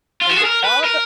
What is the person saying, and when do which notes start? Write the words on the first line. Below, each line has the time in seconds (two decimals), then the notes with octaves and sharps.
And with all the
0.21 F4
0.29 F#4
0.36 G#4
0.45 A#4
0.64 B4
0.84 A#4